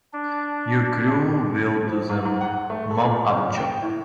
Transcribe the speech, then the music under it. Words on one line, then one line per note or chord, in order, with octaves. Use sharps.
Your crew will do the mop up job.
D4
F3
G#2
G#2
F#5
A3
A4
A#2
C#3
G5
A2